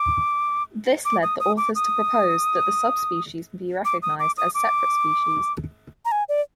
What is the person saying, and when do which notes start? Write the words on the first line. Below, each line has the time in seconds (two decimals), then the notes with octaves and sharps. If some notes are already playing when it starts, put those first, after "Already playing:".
This led the authors to propose that the subspecies be recognised as separate species.
Already playing: D6
1.05 D6
1.23 D#6
1.40 D#6
1.57 D6
1.75 D#6
3.85 D6
4.02 D#6
4.19 D6
4.38 D#6
4.55 D6
6.05 A#5
6.12 G#5
6.29 D5